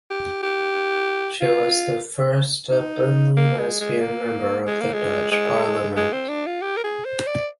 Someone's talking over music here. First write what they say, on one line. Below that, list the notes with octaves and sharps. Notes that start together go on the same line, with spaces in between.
She was the first openly lesbian member of the Dutch Parliament.
G4
G4
F4
D#4
A#3
G#3
G#3
A#3
G#3
A#3
G#3
G#3
G#3
C4
D4
F4
G4
A#4
G#4
C5
D5